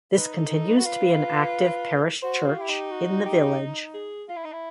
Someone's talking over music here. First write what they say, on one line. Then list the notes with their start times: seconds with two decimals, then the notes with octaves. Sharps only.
This continues to be an active parish church in the village.
0.16 D#4 B4
0.34 A4
0.47 A#4
0.51 A4
0.68 B4
0.77 F#4
0.85 F4 B4
2.23 F#4 C5
2.46 F4 F#4
2.58 E4 G4
2.69 D#4
2.91 F#4
3.26 G4
3.94 G#4
4.29 F4
4.36 E4
4.44 D#4
4.52 E4